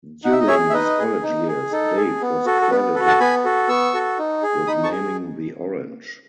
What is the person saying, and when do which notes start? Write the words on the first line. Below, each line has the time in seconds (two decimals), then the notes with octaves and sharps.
During his college years, Dave was credited with naming the "orange".
0.24 D#4 F#5
0.32 E5
0.40 D#5
0.47 G#4 C#5 E5
0.70 E5
0.73 D#4 B4 D#5
0.99 G#4
1.23 D#4
1.48 G#4
1.72 D#4 A4
1.97 G#4
2.21 B3
2.46 F#4 A4
2.62 A4
2.71 B3 B4
2.95 A4 B4
3.00 F#4
3.07 F#5 A5
3.20 B3 G#5 B5
3.45 F#4 A4
3.68 B3 C#6 E6
3.94 F#4 A4
4.19 D#4
4.43 G#4
4.67 D#4 B5 D#6
4.83 A5 C#6
4.92 G#4